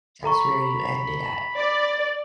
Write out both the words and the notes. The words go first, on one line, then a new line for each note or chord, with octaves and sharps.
that's where you end it at.
A4 A#5 B5 C#6
D5